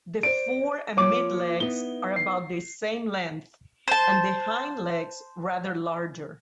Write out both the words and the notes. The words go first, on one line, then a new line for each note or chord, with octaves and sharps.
The fore and mid-legs are about the same length and the hind-legs rather larger.
C5 D5 D7
F3 A#3 F4 C#5 D6
B3 D#4 E4 G7
C7
C5 A5